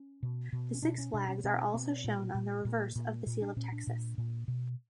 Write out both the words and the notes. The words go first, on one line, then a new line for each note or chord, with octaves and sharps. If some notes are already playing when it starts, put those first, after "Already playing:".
The six flags are also shown on the reverse of the Seal of Texas.
Already playing: C#4
B2
B2
C#4
B2 D4
C#4
B2 D4
C#4
B3
B2 C4
B2 C4
A#2
A#2
A#2
A#2
A#2
D4
A#2 C#4
D4
A#2
A#2
B2